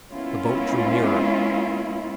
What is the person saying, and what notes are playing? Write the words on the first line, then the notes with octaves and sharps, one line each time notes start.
The boat drew nearer.
G#3 A#3 B3 C#4 E4 F4